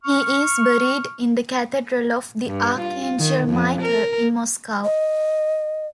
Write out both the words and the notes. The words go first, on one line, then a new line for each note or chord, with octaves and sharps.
He is buried in the Cathedral of the Archangel Michael in Moscow.
C#6 F6
G2
F4
D#3
F2
A#4
D#5